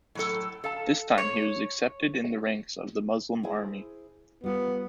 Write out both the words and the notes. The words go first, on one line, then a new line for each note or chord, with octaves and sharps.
This time he was accepted in the ranks of the Muslim army.
A2 F#3 A4
A4 F5 A5
C#5
E4 G#4 C5
G3 B3 F4